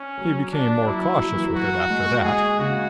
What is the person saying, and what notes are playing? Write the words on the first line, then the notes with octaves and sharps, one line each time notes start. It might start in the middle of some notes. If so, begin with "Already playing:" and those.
He became more cautious with it after that.
Already playing: C#4
F#3
D4
F#3 E4
F#3
E3
F#3
F#4
G#3
G#3 G#4
C#3 F#4